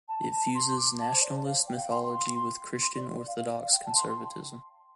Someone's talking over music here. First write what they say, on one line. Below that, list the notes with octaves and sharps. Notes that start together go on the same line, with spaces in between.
It fuses nationalist mythology with Christian Orthodox conservatism.
A5
A5
C6
D6
A5
C5
D5
F5
G5
F5
G5
C6
C6
C6
D5
D5
F5
F5
D5
F5
G5
A5
C6